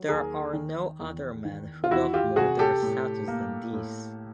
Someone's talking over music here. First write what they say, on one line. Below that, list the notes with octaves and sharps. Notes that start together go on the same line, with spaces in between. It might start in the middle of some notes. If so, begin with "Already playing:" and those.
There are no other men who love more their status than these.
Already playing: F#3
D#2 G#4 A#4
D#3
E2
D#3
F4
E2 E4 F#4
F4 G4
C3 F#4 G#4
G4 A4
A2
A#3
A2